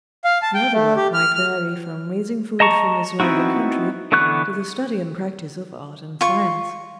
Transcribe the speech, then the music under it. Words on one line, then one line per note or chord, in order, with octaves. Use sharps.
The other work might vary from raising food from the surrounding country to the study and practice of art and science.
F5
A5
G5
A3
G4
F6
F6
D#5 A5 A#5 C#6
B3 C4 D#4 E4 F#4
D3 E3 B3 C#6 F#6
F4 C#6